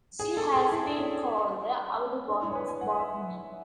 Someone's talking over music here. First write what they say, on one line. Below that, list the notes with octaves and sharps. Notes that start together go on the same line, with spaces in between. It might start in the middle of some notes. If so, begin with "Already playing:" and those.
She has been called the Audubon of Botany.
G#4
A4
G#4
E4
D4
C#4
D4
E4
C#5
B4
G#5
F#5
E5